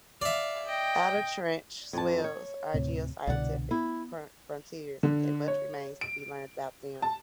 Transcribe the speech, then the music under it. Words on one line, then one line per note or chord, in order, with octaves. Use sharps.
Outer trench swells are geoscientific frontiers and much remains to be learned about them.
D5 E5 F5
D#5 G5
F2 A5
C#5
D2 A2 C3
C2 B2 D3 D5 F#5
B3 E4
D3
C#5
D7
A5